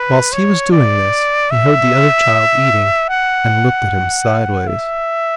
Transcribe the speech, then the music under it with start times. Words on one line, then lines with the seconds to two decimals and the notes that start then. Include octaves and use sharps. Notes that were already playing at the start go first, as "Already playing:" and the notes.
Whilst he was doing this he heard the other child eating, and looked at him sideways.
Already playing: B4
0.33 C#5
0.72 D5
1.51 E5
3.09 F#5
4.67 E5